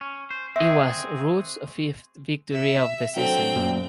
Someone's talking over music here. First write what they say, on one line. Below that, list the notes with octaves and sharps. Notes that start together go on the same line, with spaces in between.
It was Ruud’s fifth victory of the Season.
C#4
C5
C4 F#4 G#4 E5
E5
F#3 C4 D4 A4 G5
F#2 A#2